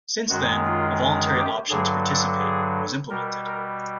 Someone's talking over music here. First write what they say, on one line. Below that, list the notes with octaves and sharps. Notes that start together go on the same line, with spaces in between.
Since then, a voluntary option to participate was implemented.
F#2 D#3 G#3 F#4
F4
G4
G2 D3 F#3 G#4
A4
G#4
B2 G3 A#4
A#4